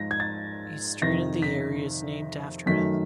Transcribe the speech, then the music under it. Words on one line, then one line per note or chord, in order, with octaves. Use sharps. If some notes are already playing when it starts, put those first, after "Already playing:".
A street in the area is named after him.
Already playing: G#2 F3 G#3 A#6
G#6
A6
F2 C3 D#3 A#6
B6
F#2 D#3 F#3 A3 B6